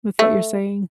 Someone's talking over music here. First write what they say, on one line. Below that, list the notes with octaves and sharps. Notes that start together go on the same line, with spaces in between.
with what you're saying.
A3